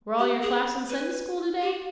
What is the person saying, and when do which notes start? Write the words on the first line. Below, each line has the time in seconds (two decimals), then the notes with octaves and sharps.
"Were all your class in Sunday School today?"
0.19 G4
0.42 G#4
0.89 B4
1.61 G4